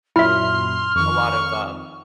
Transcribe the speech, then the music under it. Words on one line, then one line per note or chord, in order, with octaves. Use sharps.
a lot of uh,
F#2 A#2 F#3 E4 E5 C6 F6
F2 D#3 C#6